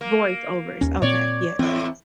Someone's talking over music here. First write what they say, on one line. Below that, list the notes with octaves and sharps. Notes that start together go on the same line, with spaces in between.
Voice overs, okay, yes, yes.
A#3
D#2 C#4
A#2 C4 C#5 D5
E2 A2 C4